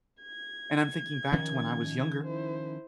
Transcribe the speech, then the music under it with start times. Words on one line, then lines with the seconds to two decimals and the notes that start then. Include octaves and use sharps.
and I'm thinking back to when I was younger,
0.22 G#6
1.32 D#3 F3 C#4
2.24 E4 C5